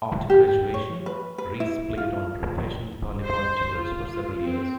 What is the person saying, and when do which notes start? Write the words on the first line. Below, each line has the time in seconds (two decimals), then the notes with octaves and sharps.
After graduation, Reece played on professional volleyball tours for several years.
0.30 G4
0.74 C#5
1.06 B4
1.38 B4
1.60 E4
1.97 F4
3.25 C5
3.76 F4
4.43 C4